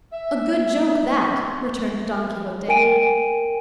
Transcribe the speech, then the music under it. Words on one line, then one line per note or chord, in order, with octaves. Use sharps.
"A good joke, that!" returned Don Quixote.
E5
A#4 G5 G#5 D7 D#7